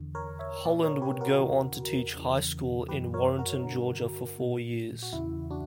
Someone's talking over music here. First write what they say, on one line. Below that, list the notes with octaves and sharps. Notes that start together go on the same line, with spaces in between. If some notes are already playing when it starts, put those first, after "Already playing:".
Holland would go on to teach high school in Warrenton, Georgia for four years.
Already playing: E2 D3
A#4 C#5
C#5 E5
A#2 B4 D5
A#4 C#5
G4 B4
F#4 A#4
E2 C#3 E3
E2 C#3 E3
F#2 E3 G4 B4
A#4 C#5
F#4 A#4
G2 D3
A#2
F#4
E2 C#3 E3 E4
D4 F#4